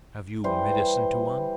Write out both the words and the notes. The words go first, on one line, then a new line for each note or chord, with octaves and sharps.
"Have you medicine, Tuan?"
E3 G3 C5